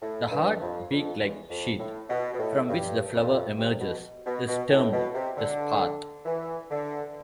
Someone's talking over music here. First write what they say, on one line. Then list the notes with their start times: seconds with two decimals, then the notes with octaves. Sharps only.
The hard, beak-like sheath from which the flower emerges is termed the "spathe".
0.02 A2
0.31 G2
0.61 F2
0.91 F2
1.20 E2
1.50 F2
1.79 A2
2.09 B2
2.34 B2
2.39 A2
2.69 G2
3.14 F2
3.58 C3
3.80 B2
4.25 B2
4.48 B2
4.70 A2
4.93 B2
5.15 C3
5.37 D3
6.25 E3
6.71 D3